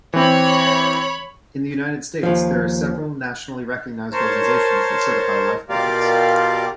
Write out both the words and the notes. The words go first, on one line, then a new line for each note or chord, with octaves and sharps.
In the United States there are several nationally recognized organizations that certify lifeguards.
E3 C4 C#5 B5
D#2 F3
A#4 C5 C#5 A5
B2 F4 G4 A#4 D5 F5